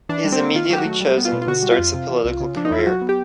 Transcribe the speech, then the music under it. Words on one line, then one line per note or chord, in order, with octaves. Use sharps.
He is immediately chosen and starts a political career.
E3 D4
G3
C4
A#3
D#3 F4
F#3 G4
F#4
A3
G3
B3
F4
B2
F4
D3 F#4
G3
F4
F2
C3
E3
C2
C#3
F3 D4
D#4
E2 E4
F4
F#3 F#4
B3
G4